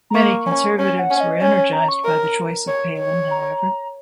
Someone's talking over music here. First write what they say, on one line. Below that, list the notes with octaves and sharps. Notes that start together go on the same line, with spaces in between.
Many conservatives were energized by the choice of Palin, however.
A#5
A#3 C#6
C#4
C#4 G#5
F#5
C#4
D#5
C#4 C#5
C#5
A#5
C#6
A#4
C#5
C#5
A#5